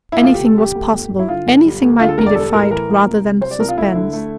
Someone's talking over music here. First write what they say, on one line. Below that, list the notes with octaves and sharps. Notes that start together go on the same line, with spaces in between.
Anything was possible, anything might be defied rather than suspense.
E4
D2 F4
G4
C3
A4
G3 G4
D2
G1
G2
E4
D3 F4
G1
G3
D2
D3 F4
A4
E1 A#4
D5
G3 A4
A2 A#4
E3 A#4
A1
C2
C3
G3 C5
D5
C2 A#4
F4
D2 E4
D3
A3